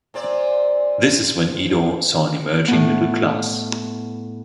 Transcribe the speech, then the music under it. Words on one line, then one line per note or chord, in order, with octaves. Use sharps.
This is when Edo saw an emerging middle class.
A#2 C4 D5
A2 B3